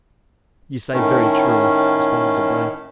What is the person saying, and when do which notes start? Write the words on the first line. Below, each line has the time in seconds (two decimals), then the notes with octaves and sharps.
"You say very true," responded Debray.
0.93 A2 D#3 A3 C#4